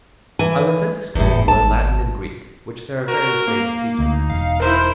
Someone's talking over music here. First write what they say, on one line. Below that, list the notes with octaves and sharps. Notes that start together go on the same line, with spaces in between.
I was sent to school to learn Latin and Greek, which there are various ways of teaching.
E3 G#5
G1 E2 A2
G#1 A5
F#4 A#4
A#3
D2 D#4
E1 F5
E4 A#4 C5